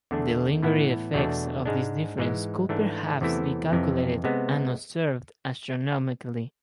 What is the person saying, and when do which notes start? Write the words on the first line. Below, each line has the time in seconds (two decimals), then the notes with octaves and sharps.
The lingering effects of this difference could perhaps be calculated and observed astronomically.
0.11 E2 D3 A3 D4
0.63 A2 E3 B3 E4
1.14 E2 B2 A3 D4
1.65 G#2 G#3 D4
2.18 G#2 E3 G#3
2.69 G#2 E3 A3 D4
3.21 E2 C3 E3 A3 E4
3.72 F2 C3 E3
4.24 C3 G#3 B3